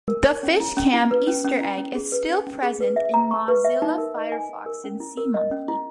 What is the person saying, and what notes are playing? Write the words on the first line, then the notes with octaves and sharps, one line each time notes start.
The Fishcam easter egg is still present in Mozilla Firefox and SeaMonkey.
A#4
C#5
C#4
E4
C#4
E4
B4
C#4
C#4
E4
C#4
G#4
B4
C#4
C#4
G#4
B4
E5
A#5
C#6
B4
E5
D#4
A#4
D#5
G#5
D#4
A#4
C#4
E4
A#4
D#5
C#4
E4